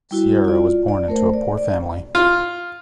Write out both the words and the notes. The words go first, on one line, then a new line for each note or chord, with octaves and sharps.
Sierra was born into a poor family.
G3 E4 F#4
F4 D5
D5
A3 A#4 C5
D5
D5
F4